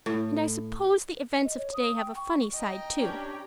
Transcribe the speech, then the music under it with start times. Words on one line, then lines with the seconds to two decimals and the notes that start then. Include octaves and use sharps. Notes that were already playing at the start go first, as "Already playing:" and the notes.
And I suppose the events of today have a funny side too.
0.06 A2
1.45 D#5
1.58 C#5
1.74 D#6
1.98 G5
2.16 C#6
2.55 D#5 G5 A#5
3.00 C#4 D4 G4